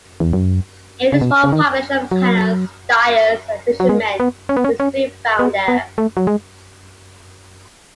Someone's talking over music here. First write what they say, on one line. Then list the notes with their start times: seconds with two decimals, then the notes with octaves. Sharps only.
Even the small population of tanners, dyers and fishermen is to be found there.
0.20 E2
0.33 F#2
1.12 C#3
1.21 B2
1.44 C#3
1.52 D#3
2.11 F#3
3.80 F#3
3.89 G#3
4.20 B3
4.49 C#4
4.57 B3
4.64 C#4
4.80 C#4
5.39 B3
5.68 B3
5.98 A3
6.17 F#3
6.27 G#3